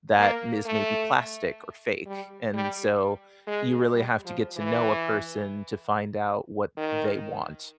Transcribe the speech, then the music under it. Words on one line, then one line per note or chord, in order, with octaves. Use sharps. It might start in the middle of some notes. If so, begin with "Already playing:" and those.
that mis maybe plastic or fake, and so, you really have to get to know a person to find out what they want.
A#3
A3
G3
G3
G#3
G3
F3
E3
D#3